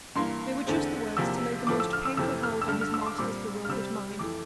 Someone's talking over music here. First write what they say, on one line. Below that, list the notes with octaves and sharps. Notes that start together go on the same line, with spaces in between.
They were just the words to lay the most painful hold on his master's bewildered mind.
G2 E3 A#3 C6
E2 D3 A3 C4
E2 C3 F3 A#3 E6
A2 F3 A3 D6
E6
F6
E6
F2 C3 E3 A3 C4 E6
F6
E6
G2 D3 A3 F6
F6
E6
C6
D6
A#2 G3 C4 D6
F6
C3 G3 C4 E6
F2 E3 A3 D6